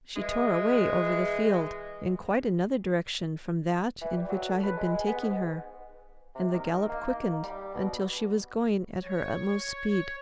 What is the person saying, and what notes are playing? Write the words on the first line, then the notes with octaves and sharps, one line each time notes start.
She tore away over the field in quite another direction from that in which I had been taking her, and the gallop quickened until she was going at her utmost speed.
E3 G#3
E3
G3
F#3
A4
B4
G#3
G#4
B3
G#2
C3
D#3
A#3
D#4
G3
B2
C#5